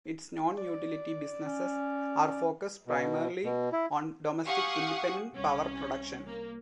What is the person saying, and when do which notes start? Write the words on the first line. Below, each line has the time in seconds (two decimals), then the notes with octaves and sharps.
Its non-utility businesses are focused primarily on domestic independent power production.
0.57 D5
1.43 C#4
2.87 B2
3.44 B2
3.72 E4
4.46 G4 F5 F#5 G#5 C#6 D#6
5.34 C2 C#4
6.26 A#3